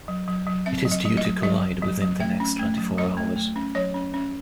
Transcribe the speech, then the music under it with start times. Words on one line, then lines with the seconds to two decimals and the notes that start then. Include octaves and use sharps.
It is due to collide within the next twenty-four hours.
0.08 F#3
0.28 F#3
0.47 F#3
0.66 C4 E5
0.85 F#3
0.92 D#5
1.05 F#3
1.17 D#5
1.25 F#3
1.43 F#3 D#5
1.62 F#3
1.82 F#3
2.02 F#3
2.20 A3 E5
2.40 C#4
2.59 A3
2.78 F#3
2.97 F#3 D#5
3.17 A3
3.36 A3
3.56 C#4
3.75 F#3 C#5
3.94 C#4
4.14 C#4